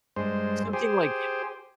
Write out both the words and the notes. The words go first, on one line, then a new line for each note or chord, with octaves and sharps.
something, like,
G2 G#3 C5
G4 G#4 C5